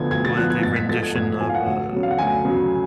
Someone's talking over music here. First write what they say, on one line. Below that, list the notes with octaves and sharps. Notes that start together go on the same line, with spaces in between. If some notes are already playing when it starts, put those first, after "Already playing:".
W the rendition of, uh,
Already playing: D2 D3 F3 B3 G#6
D2 G#6
A6
D3 F3 B3 F#6
G#6
G#2 A6
B6
F3 A3 A6
G#6
G#2 G#6
F3 A3 G#5
F5
F#5
D2 F#5
C#3 F#3
F5
F#5
D2 G#5
C#3 F#3